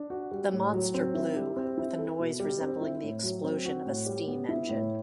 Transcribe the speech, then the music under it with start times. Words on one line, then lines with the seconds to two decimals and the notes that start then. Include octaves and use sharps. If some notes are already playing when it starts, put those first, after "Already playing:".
The monster blew, with a noise resembling the explosion of a steam-engine.
Already playing: D4
0.10 F#4
0.31 G3
0.52 A2
0.73 F#3
0.94 C4
1.14 E4
1.36 G3
1.57 C4
1.78 E4
1.99 A4
2.19 B2
2.40 G3
2.61 C4
2.81 E4
3.03 A2
3.23 F#3
3.44 C4
3.65 F#4
3.86 A2
4.07 G3
4.28 B3
4.49 E4
4.69 A2